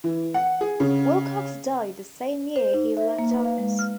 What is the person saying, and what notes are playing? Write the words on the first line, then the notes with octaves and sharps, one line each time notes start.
Wilcox died the same year he left office.
E3
F#5
G#4
C#3
C5
D#4
E5
A#3
B4
F5
G#3
F6